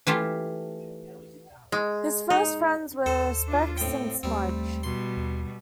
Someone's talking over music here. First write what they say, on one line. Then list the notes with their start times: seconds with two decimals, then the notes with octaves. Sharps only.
His first friends were Specs and Smudge.
0.07 E3 A3 F4 G4
1.72 G#3
2.30 D#4
3.06 D#2 A4 C5
3.47 D4 F4
3.77 A2 C4 G5
4.23 D#2 G3 A3 C4
4.83 B2 G3 C6
5.17 D#2